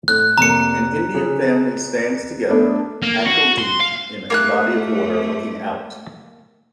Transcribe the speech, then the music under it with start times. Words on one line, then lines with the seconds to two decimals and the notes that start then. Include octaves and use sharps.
An Indian family stands together, ankledeep in a body of water, looking out.
0.08 A2 F#6
0.38 F1 A#3 A#5 C#7
1.15 C#3 G#4
2.49 A3 B3 D4
3.02 A#3
3.26 F#4
3.59 C6
3.80 F5
4.30 A3 A#3 G#5 F#6